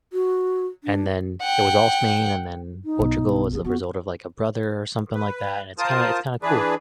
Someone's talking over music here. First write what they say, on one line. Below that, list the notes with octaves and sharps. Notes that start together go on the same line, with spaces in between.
and then it was all Spain, and then Portugal was the result of, like, a brother, or something like that, and it's kinda it's kinda cool.
F#4
D4
F#5 G5
D#4
B1 B3
F3 G#3 G#4
B3 F#4
B4
F4 A#4 C5 A5 D#6
E3 D4 G#4 B4